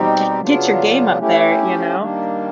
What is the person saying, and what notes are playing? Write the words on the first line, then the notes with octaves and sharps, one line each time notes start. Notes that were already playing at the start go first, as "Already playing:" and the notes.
gre get your game up there, you know,"
Already playing: B2 G3 C4 D#4 G4
C#3 F#3 B3 D4 F4
A3 C#4 E4 G4
D#3 G3 A#3 D4